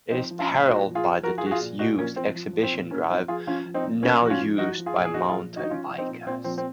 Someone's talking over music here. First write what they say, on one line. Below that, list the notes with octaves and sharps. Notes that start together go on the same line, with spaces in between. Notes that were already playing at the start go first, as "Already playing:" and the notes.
It is paralleled by the disused Exhibition Drive, now used by mountain bikers.
F3 C4 D#4
F3
C#4 F4
A#2
A#2 D#4 F#4
F3
F4 G#4
F3
F3 F#4 A#4
F4 G#4
F3 F#4
F4 G#4
A#2
A#2 D#4 F#4
F3 A#3 C#4
F3 C4
F3
F3
C4
A#2
A#2 A#3 C#4
F3 C4 D#4
F3 F4 G#4
F3 C#4 F4
F3
C4 D#4
A#2
A#2 A#3 C#4
F3 F#4
C#4 F4
F3
F3 D#4 F#4
F3
F4 G#4
A#2
G#4
A#2 D#4 F#4
F4 G#4
F3
F3 D#4 F#4
D#4
F3 C#4 F4
F3
C4 D#4
A#2
A#2 C4
F3 C4
C4